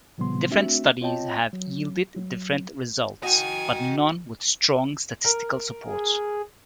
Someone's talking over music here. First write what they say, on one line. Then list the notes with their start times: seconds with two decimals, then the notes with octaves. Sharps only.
Different studies have yielded different results, but none with strong statistical support.
0.18 A#2 C#3 F3 G3 B3 C6
0.51 A3 C4 D4 F#4 E5
1.01 C4 F4 C#5 D#5 G5 A5
1.53 F#3
2.16 F#3
3.23 F#4 D#5 G5 G#5
5.24 A#4
5.85 G#4